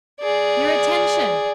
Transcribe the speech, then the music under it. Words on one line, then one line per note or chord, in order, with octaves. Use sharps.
Your attention!
G#4 D5